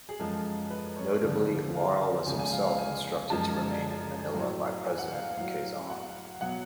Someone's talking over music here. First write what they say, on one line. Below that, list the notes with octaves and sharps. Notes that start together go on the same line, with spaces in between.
Notably, Laurel was himself instructed to remain in Manila by President Quezon.
G#4
F#2 F3 G#3 A4
B4
C#5
D2 C#3 F3 D5
F5
C#2 C#3 F3 G#3 G#5
G#5
F5
F5
G#5
F#2 F3 G#3 A5
A2 F#3
G#5
F#5
F5
A2 F#3 F5
F#5
B2 F#3 F#5